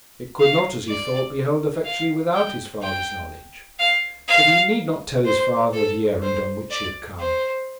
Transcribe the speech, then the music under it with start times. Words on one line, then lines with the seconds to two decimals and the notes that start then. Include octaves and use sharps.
It could not, as he thought, be hurled effectually without his father's knowledge; but he need not tell his father the errand on which he had come.
0.40 F5
0.88 D5
1.85 F5
2.34 G5
2.82 G5
3.79 F5
4.28 F5
5.25 C5
5.74 A4
6.22 C5
6.71 D5
7.20 C5